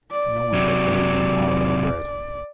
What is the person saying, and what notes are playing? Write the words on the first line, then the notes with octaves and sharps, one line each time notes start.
No one but they gained power over it.
D5
C3 F#3